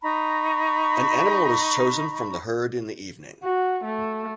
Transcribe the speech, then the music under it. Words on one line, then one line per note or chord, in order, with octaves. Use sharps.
An animal is chosen from the herd in the evening.
D#4 A#5 B5 C#6
F#4
A3